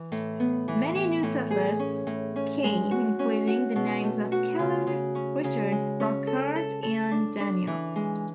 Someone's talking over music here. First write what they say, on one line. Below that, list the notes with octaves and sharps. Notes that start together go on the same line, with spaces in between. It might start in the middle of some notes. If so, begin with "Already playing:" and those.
Many new settlers came, including the names of Keller, Richards, Brockhart, and Daniels.
Already playing: E3
A2
B3
E3
E3
A2
G#4
C#4
A2
C#4
G#3
F#4
C#4
F#4
B2
A3
F#4
C#3
C#3
C#4
C#3
G#3
C#4
A4
A4
A4
D4
D4
E3
G#3